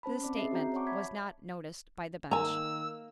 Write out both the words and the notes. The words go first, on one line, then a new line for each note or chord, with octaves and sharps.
This statement was not noticed by the bench.
C#4 C5 A5 B5
C4 C#4 D5 D6
C4 G#4 D#5 E5 C7
C4 F#4 C5 D#5 A#5 G6
C#5 D5 F#5 A5 C#6 D6
E5 B5 G#6 B6
D#3 A#3 G#5 A#5 E6